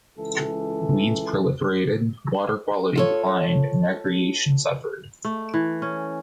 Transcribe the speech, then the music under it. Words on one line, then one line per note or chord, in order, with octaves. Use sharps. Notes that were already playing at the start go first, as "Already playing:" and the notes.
Weeds proliferated, water quality declined, and recreation suffered.
C#2 E3 A4
F4 A4 C#5
A3
E3
C#4